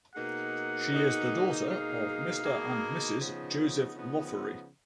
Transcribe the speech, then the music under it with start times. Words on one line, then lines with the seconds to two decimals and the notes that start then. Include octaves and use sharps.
She is the daughter of Mr. and Mrs. Joseph Loughery.
0.15 B2 A#3 D#4 G#4 F#5
0.91 B2 A#3 D#4 G#4
1.67 B2 A#3 D#4 G#4 F5
2.43 B2 A#3 D#4 G#4
3.19 C#3 F3 B3 D#4
3.94 C#3 F3 B3 D#4